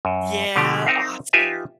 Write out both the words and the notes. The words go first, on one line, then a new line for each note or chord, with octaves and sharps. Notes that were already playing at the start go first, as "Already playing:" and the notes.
Yeah, awesome.
F#2
B2 D3 F3 A3 G4
C4 D#4 A#4 E5 F5
D#4 F4 G4 B4 E5 G#5